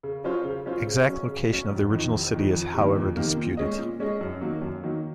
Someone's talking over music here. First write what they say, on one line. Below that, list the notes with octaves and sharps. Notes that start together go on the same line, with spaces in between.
Exact location of the original city is however disputed.
C#3
F#3 C#4 F4 C5
C#3
F#3 C#4 F4 C5
C#3
F#3 C#4
C#3
F#3 C#4
F1
F2 D#3
F1
F2 D#3
F2
C3 D#3 A#3
F2
C3 D#3 A#3
A#2
G#3 C#4 G#4 D#5
A#2
G#3 C#4 G#4 D#5
F#2
D#3 F#3 A#3
F#2
D#3 F#3 A#3